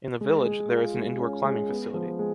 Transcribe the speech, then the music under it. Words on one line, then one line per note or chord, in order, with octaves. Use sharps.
In the village, there is an indoor climbing facility.
G#3
G#3
F4
G#3
C#4
G#3
B3
F3
G#3